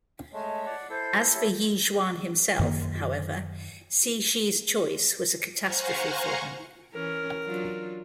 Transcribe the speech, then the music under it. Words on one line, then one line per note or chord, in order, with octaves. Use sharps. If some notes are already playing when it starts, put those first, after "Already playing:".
As for Yixuan himself, however, Cixi's choice was a catastrophe for him.
G#3 A3 C#5 D#5 A5
D5 F#5
E4 A4 C5 G6
G4 C#5 E5
F#2 D#3 A#3
C5 F5 F#5 G#5 A#5 C#6
E3 C#4 A#4
F#3 D4 F4